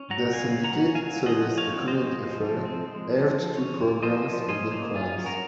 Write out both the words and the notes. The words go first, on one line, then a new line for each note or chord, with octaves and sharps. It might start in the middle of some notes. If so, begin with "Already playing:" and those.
The syndicated series "A Current Affair" aired two programs on the crimes.
Already playing: C#4
F#3 F#5 A#5
C#3 F5 G#5
C#3
F#5 A#5
C#4
F5 G#5
F#3
F3 D#5 F#5
F3
C#5 F5
C4
C5 D#5
G#3
F3
F3
C4
G#3
F3
F3
C#4
A#3
F3 C5 D#5
F3
C#4 C5 D#5
A#3
C#4 F4 G#4
F#3
F#4 A#4